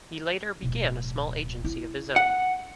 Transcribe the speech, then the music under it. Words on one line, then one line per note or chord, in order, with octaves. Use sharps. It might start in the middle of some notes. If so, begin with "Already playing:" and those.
He later began a small agency of his own.
D1 B2
E4
F#5